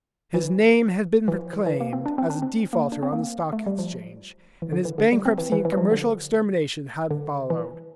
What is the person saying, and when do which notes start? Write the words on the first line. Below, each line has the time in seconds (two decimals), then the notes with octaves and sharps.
His name had been proclaimed as a defaulter on the Stock Exchange, and his bankruptcy and commercial extermination had followed.
0.34 E3
1.28 E3
1.34 F3
1.53 E3
1.66 E3
1.80 A#3
1.93 C4
2.06 D4
2.18 C4
2.30 D4
2.42 C4
2.73 A#3
2.92 D4
3.03 C4
3.13 A#3
3.53 A3
3.66 G3
3.79 F3
4.62 E3
4.72 D3
4.85 E3
4.98 D3
5.12 G3
5.25 C4
5.38 E3
5.52 E3
5.65 E3
5.72 G3
5.77 F3
5.91 D3
7.11 D3
7.50 E3